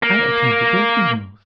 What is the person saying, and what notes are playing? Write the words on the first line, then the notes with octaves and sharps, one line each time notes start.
I attended their funerals.
A#3